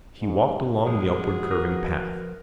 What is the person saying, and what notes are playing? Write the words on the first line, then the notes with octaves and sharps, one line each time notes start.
He walked along the upwardcurving path.
G#2
F#2 F3 G#3 F#4 G#4
F3 A#4 B4